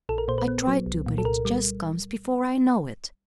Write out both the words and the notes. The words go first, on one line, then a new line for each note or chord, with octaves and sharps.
I try to, but it just comes before I know it.
A#1 A4
A#4
A#2 C5
B4
B3
F#3
C2
A#2
A4
C2 A#4
G3